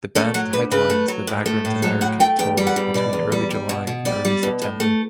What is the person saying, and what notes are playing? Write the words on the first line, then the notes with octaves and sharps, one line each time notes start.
The band headlined the Vagrant America Tour between early July and early September.
A3 C#4
F#3 F#4
D2 B4
C#3 B4
A3
F#3
A2
A3
A2
F#3 A4
A2 F#5
A3 G5
E2 G5
G3
F#5
E2
B2 D5
E2
G3
G3
B2
B2
G3 D5
G3
B2
A2
A3